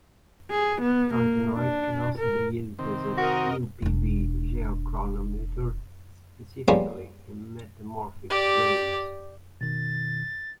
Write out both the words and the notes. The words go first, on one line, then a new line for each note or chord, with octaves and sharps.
Titanite can also be used as a U-Pb geochronometer, specifically in metamorphic terranes.
G#4
B3
A#3
D4
A#4
C3 D#3 C4
F#4 A#4 D#5
E1 D4
F3 G3 G#3 A#3 B3 C#4
G4 D5
B2 D#3 A6